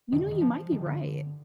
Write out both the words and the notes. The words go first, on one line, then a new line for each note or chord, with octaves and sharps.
You know, you might be right.
F2 C3 D#3
D3
D#3
F3
G2 D3 D#3
D3